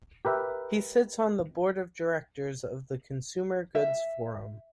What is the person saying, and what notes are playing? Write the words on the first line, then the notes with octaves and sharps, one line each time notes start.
He sits on the Board of Directors of the Consumer Goods Forum.
G4 A#4 B4 E5
E5